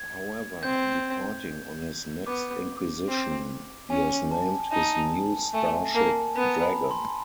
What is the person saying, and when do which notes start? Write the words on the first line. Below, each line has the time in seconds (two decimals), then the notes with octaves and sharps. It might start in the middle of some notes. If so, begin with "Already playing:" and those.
However, departing on his next Inquisition, he has named his new starship "Dragon".
Already playing: G#6
0.63 C4 G6
2.27 B3 D6
3.08 C4
3.90 C#4 G#5
4.31 A5
4.72 D#4 A5
5.54 A3 G#5
5.95 A#3 A5
6.36 B3 A#5
6.63 B5
6.91 C6